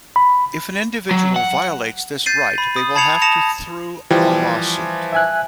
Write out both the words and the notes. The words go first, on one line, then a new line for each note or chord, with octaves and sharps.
If an individual violates this right they will have to through a lawsuit.
B5
F#3
F#5
G6 A6 C7 D#7
B5
D#6
A5 B5 G#6 C7 C#7 F7
A5 D#6 A#6 C#7 F7
E3 F3 G3
E5 G#5 F#6